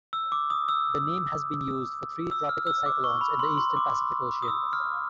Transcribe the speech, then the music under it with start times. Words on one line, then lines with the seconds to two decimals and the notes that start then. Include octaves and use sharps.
The name has been used for three tropical cyclones in the Eastern Pacific Ocean.
0.13 E6
0.32 D6
0.50 D#6
0.68 E6
2.31 E6
2.49 F6
2.67 E6
2.86 D6
3.04 C#6
3.21 B5
3.39 C6
3.57 C6
3.77 D6
4.42 D#6
4.48 E6
4.73 F6